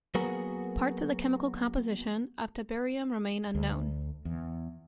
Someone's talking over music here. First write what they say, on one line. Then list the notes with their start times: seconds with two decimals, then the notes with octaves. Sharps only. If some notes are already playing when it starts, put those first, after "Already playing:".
Parts of the chemical composition of tiberium remain unknown.
0.15 F#3 A#3 B3 F#4 G#4 A#4
3.55 D2
4.25 E2